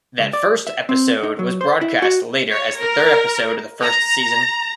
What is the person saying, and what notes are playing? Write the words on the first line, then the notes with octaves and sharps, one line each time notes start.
That first episode was broadcast later as the third episode of the first season.
C#2
D5
E5
C4
D#4
F#3
C5
E4
F#4
C#5
A#4
A#5